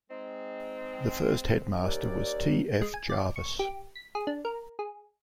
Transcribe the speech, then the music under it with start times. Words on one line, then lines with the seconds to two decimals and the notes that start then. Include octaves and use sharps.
The first headmaster was T F Jarvis.
0.10 G#3 C4 D#4
1.83 D#2 D5
2.82 G#3
2.94 G#5
3.09 D5
3.36 C#6
3.59 G4
3.95 B6
4.15 G#4
4.27 D4
4.45 A#4
4.79 G#4